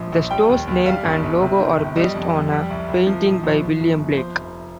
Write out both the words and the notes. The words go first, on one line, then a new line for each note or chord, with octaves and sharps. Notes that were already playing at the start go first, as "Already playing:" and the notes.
The store's name and logo are based on a painting by William Blake.
Already playing: A#1 F3
A#1
G3 G5
D#2
D#2
G3 F5
G1
G1
C3
D#3
G1
G3 D#5
F2
F2
G3
C2
C2
F3
A#1
A#1
F3
G1
G1
F3 C5
F1